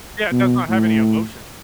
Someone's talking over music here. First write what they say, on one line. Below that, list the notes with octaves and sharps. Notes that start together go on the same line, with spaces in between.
Yeah, it does not have any emotion.
B2
A2